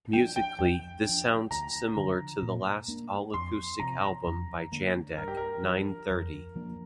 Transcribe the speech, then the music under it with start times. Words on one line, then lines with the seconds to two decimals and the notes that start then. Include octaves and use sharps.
Musically, this sounds similar to the last all-acoustic album by Jandek, "Nine-Thirty".
0.13 F3 D4 G5
0.36 G5
0.59 F2 G5
1.04 F3 D4
1.51 D2 A#5
1.96 D3 F3
2.42 A#2
2.88 A#3 D4
3.34 F2 C6
3.80 C3 F3 A#5
4.27 F2
4.72 D3 A#3 D4
5.17 G2 A#4
5.28 G4
5.37 A#4
5.64 F3 D4
6.10 F2
6.56 F3 A#3 D4